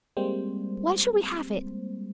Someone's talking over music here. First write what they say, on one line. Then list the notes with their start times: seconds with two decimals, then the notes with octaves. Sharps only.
When shall we have it!
0.17 G3 G#3 A#3 C4 C5